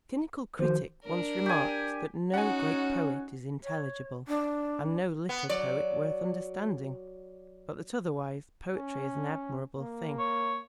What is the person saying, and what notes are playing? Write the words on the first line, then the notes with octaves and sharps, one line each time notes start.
A cynical critic once remarked that no great poet is intelligible and no little poet worth understanding, but that otherwise poetry is an admirable thing.
D#3 F3 F#4 C5
D4 A#4
G4 G#5
C#4 D#4 F#4 F#5 G#5
C#5
D4
B3
F#3 D5
C#4
A#3
C#5